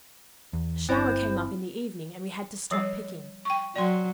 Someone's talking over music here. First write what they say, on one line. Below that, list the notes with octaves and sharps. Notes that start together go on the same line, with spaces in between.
A shower came up in the evening and we had to stop picking.
E2
G1 C4 E4 C5
F3 G3 C#5
G5 C#6
F#3 D5 G5 C6